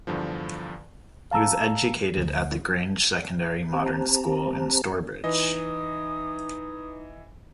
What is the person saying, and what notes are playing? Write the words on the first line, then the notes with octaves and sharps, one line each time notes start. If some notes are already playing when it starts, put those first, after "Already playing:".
He was educated at the Grange Secondary Modern School in Stourbridge.
E2 G2 D3 F3
F5 A5 A#5 E6
D2
C4 G4 C5 A5 A#5
E3 D#4 B4 D#5 G#5 D#6